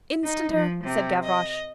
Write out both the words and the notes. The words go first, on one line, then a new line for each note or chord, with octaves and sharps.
"Instanter," said Gavroche.
D#4
F3
C3
D#5